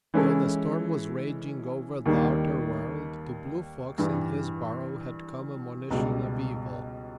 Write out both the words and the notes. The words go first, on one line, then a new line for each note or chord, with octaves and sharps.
Though the storm was raging over the outer world, to Blue Fox in his burrow had come a monition of evil.
E3 G#3 C#4 E4 A4
D#2 D#3 G3
G2 E3 G3
C#2 B2 G3